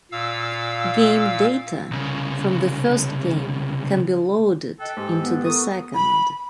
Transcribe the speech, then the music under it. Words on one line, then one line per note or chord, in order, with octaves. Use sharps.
Game data from the first game can be loaded into the second.
A#2 F5 E6
C2 C#3
A4 D#5 G5 F#6
G#2 G4
B3
B3 A4 A#4 C#6 D#6
B5